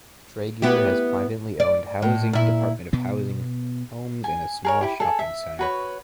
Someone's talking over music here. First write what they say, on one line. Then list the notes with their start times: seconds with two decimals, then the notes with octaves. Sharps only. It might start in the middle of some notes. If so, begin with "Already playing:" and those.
Tregear has privately owned housing, Department of Housing homes and a small shopping centre.
0.62 B3 E4 G4
1.60 D5
2.02 A2
2.33 A#2 E4
2.93 B2 B3
4.24 G#5
4.65 G#4 A#4 C#5
4.81 E4 G4
5.00 G#4 A4
5.19 E5
5.59 F#4 B4 C#5